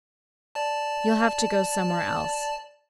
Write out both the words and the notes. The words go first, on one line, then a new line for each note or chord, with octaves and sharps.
"You'll have to go somewhere else."
D5 A5